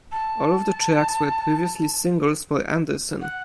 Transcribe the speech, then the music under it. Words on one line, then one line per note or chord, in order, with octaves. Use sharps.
All of the tracks were previously singles for Anderson.
A5
F#5